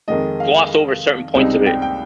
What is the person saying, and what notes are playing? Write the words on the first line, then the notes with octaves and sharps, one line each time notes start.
gloss over certain points of it,
F2 D#3 G#3 D#5
F5
C#2 C3 G3 C4 D#4
G5
G5